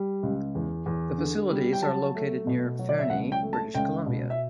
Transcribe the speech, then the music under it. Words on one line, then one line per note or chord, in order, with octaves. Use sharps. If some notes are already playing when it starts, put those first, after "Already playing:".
The facilities are located near Fernie, British Columbia.
Already playing: G3
C#2
E2
E2
D3
G3
G5
F#3 A5
A3
B2
F#3
D5
E5
C#2 F#5
G5
A3
A5
C#2 G5
B2
E5